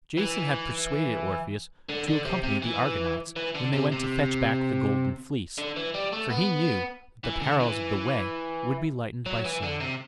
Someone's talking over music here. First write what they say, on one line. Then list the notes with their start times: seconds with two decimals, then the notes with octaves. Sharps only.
Jason had persuaded Orpheus to accompany the Argonauts when they went to fetch back the golden fleece, for he knew that the perils of the way would be lightened by song.
0.17 E3
1.89 D3
2.08 D3
2.26 C3
2.44 C3
2.62 E3
3.36 E3
3.55 D3
3.73 C3
3.92 C3
5.58 D3
5.76 E3
5.94 G3
6.13 A3
6.31 B3
7.24 E3
7.41 D3
7.60 E3
9.26 F#3
9.45 E3
9.63 D3
9.81 C3